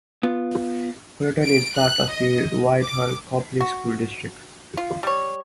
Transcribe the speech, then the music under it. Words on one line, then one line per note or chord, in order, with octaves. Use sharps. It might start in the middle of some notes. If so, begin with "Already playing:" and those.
Fullerton is part of the Whitehall-Coplay School District.
B3 F4
D7
F#6
D#5
D6
F#4
F4
G3 C#5